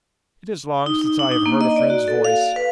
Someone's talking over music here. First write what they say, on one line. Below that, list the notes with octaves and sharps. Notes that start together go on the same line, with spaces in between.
'It is long since I have heard a friend's voice.
D#4
D#4
D4
D#4
A#3
D#5
D5
F#4
A4
F5
F5
B4